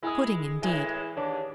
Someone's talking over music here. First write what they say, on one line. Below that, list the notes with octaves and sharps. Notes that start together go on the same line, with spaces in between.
Pudding, indeed!
G#3 E4 G#5 D#6
A2 E3 G#3 G#5
D#2 D4 C#5